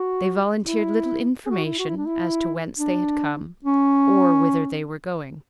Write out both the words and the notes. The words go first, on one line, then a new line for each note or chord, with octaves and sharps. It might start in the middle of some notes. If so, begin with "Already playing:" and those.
They volunteered little information as to whence they had come or whither they were going.
Already playing: F#4
E4
G#4
F#4
E4
F#4
E4
D4
E4
D4
C#4